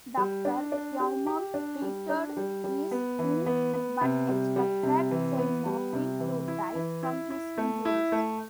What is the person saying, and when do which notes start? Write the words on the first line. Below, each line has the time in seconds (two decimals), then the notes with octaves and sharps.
Doctor Beaumont treated his wound, but expected Saint Martin to die from his injuries.
0.17 G3
0.45 D4
0.72 D4
1.00 G4
1.26 G4
1.54 D4
1.82 G3
2.09 D4
2.37 G3
2.64 G3
2.91 B3
3.19 E3
3.46 B3
3.74 B3
4.01 C3
4.29 G3
4.56 G3
4.83 C3
5.11 E3
5.38 B3
5.66 G3
5.93 C3
6.20 E3
6.48 E4
6.75 E3
7.03 E4
7.30 E4
7.58 A3
7.85 E4
8.12 A3